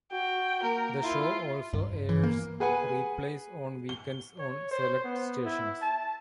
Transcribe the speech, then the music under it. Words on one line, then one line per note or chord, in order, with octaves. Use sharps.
The show also airs replays on weekends on select Stations.
F#4 G5
A#3 A#4
E4 F4
G2
E3
A#3
G#4 B4 F#5 G#5
G7
C#5
C5
B3
E4
A5